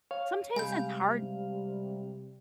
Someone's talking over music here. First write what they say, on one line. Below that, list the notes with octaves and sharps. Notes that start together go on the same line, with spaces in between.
Sometimes it's hard
C#5 F5
C3 G3 G#3 G#5 B5 G6